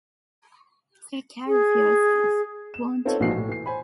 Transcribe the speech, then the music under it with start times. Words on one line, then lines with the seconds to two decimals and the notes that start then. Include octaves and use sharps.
Take care of yourself, won't you?
1.47 G#4
2.74 E7
3.05 B3 C4 D#4 F4 A4 C#5
3.20 A#1 G#2 E3 F3 F#4 C7
3.37 A2
3.49 E3 C7
3.66 C5 G#5 B5